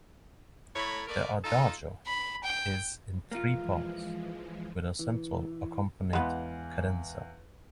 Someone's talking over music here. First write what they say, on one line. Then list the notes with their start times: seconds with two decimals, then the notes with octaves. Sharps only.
The Adagio is in three parts, with a central accompanied cadenza.
0.75 A2 A3 C#5 A#5 B5
1.08 A3 A#3 A#4 B4 D5
1.44 D#4 F4 A4
2.06 B5
2.44 G5
3.32 E3 F3 G#3 A#3 F4
4.99 E3
6.13 E2 G#3 B3 F5 F#6